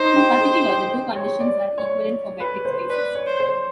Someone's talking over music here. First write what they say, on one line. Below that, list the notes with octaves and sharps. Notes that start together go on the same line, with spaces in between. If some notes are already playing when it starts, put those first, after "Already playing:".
In particular, the two conditions are equivalent for metric spaces.
Already playing: D#4 C5
G4
G#4
G4
C5
C#5
D5
C#5
B4
C5
B4 D5
C#5
C5
C5